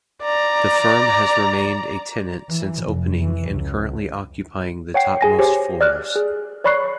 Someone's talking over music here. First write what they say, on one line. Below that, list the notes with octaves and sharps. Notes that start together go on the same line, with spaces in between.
The firm has remained a tenant since opening and currently occupying the topmost floors.
D5 A#5
E3
F1
E3
C#2
C#5 F#5 G5 C7
G#4 G#5 A#6
G4 C5 C#5
D5 F6 F#6
G#4
C#5 D5 B5 C#6 F#6 C7